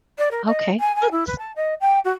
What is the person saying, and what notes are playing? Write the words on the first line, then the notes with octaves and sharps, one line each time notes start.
Okay, that's
D5
A#4
D#5
G#5
G#5
E4
B4
A5
D#5
G5
F#4